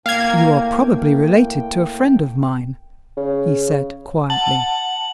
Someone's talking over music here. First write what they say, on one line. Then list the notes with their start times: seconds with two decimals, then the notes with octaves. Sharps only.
"You are probably related to a friend of mine?" he said, quietly.
0.06 A2 A#3 F5 G5 G#6
3.17 C#3
4.30 F#5 A5 F#7